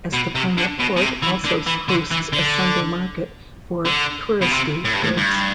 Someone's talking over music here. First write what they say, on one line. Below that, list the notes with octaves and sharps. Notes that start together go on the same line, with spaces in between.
Estepona port also hosts a Sunday market for "touristy" goods.
B2
C3
D3
B2
B2
C3
E3
D3
E3
D3
E3
D3
D3
B2
C3
A2
G2
A2
G2